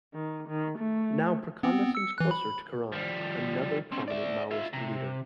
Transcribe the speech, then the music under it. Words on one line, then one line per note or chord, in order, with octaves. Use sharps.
Now Prachanda seems closer to Kiran, another prominent Maoist leader.
D#3
D#3
A3
B3 C4
E6 C#7
E3 F#6
B5
F3 G3
C4 C#4
D5 E5
F4 E5
C3